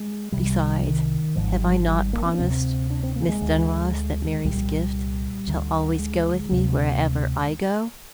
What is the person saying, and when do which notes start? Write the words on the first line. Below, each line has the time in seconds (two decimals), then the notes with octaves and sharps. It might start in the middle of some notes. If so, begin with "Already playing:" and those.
Besides, have I not promised Miss Dunross that Mary's gift shall always go with me wherever I go?
Already playing: G#3
0.32 C2 C3 G3
0.85 D#3
1.36 G#1 G#2 F3
1.53 G3
1.70 F3
1.88 G3
2.13 A#3
2.26 C4
2.33 D4
2.39 D2 C3 C4
2.90 D4
3.03 C4
3.16 A#3
3.29 G#3
3.41 D2 D3
4.44 C2 A#2 G3
5.47 D2 D3
5.99 G#3
6.51 D2 C3